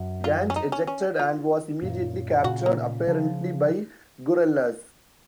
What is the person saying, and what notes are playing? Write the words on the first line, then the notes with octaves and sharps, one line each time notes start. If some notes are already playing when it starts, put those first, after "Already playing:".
Gant ejected and was immediately captured, apparently by guerrillas.
Already playing: F#2
F4
C#4
D#4
C#4
C#4
F4
F#2 A#2
A#2 C#3 F#4
A#3
C#3 F3